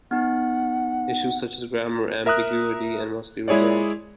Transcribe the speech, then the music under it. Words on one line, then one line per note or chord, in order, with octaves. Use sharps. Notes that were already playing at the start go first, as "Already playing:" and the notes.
Issues such as grammar ambiguity must be resolved.
B3 D#4 F#5
A#4 E5 A#5 D#6 F#6
G#3 E4 G#4 C#5 D5